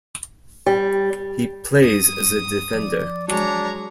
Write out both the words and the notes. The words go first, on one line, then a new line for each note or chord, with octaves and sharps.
He plays as a defender.
G3
G2 D#6
F3 D5
F#3 G#3 D4 C#5 A#5